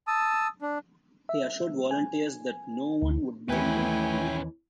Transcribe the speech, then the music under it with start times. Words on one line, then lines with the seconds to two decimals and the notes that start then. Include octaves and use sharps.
He assured volunteers that no one would blame them for leaving.
0.07 A5 D#6 E6
0.62 D4
1.29 E5
1.91 G#5
3.02 D2
3.49 D#2 E3 A3 C#4 E4 B4 G5 G#5